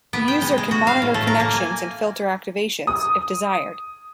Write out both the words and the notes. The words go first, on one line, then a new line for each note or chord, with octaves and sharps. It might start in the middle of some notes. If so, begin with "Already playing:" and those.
The user can monitor connections and filter activations, if desired.
B3
G5
G#3
G#3
F#4
F5
A2
A3
A#4
A#3
G#5
D#6